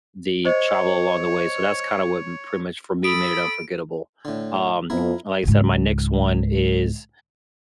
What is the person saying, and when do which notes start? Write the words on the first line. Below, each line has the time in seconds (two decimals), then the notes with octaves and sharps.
the travel along the way. So that's kinda what pretty much for me made it unforgettable. Um, like I said, my next one is
0.45 C5 C#5 D#5
3.04 A4 B5 D#6 D7
4.25 A2 D3
4.90 F2 B3 E4 A#4
5.44 C#2 G#2